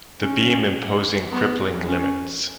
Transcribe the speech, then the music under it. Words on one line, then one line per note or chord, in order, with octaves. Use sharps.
The beam imposing crippling limits.
C#4
B3
C#4